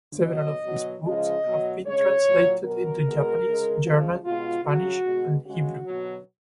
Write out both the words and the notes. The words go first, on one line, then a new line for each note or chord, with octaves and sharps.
Several of his books have been translated into Japanese, German, Spanish, and Hebrew.
B2 F#3 D#5
B2 F#3
C#3 F3 G#3 D#5
B2 F#3
C#3 G#3 C#5
A#2 F#3
B2 F#3 A#4
B2 G#3
C#3 G#3
C#3 F3 G#3
B2 G#3 F4
C#3 F#3 F#4
B2 G#3
C#3 G#3 F#4
B2 F#3